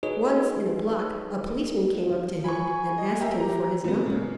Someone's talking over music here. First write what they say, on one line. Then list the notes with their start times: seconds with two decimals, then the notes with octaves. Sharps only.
Once, in a block, a policeman came up to him, and asked him for his number.
0.03 D#4 F#4 G#4 B4 C#5 D#5
2.44 G#5 B5 C#6
2.98 D#5
3.21 G4 A#4 E5
3.40 G4 A#5
3.84 D#2 G#3 B3
4.06 C#3